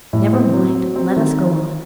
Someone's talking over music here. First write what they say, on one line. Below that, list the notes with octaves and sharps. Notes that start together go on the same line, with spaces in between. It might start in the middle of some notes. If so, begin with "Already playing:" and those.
"Never mind; let us go on."
A2
C4
F#3
F#3
C4
D#3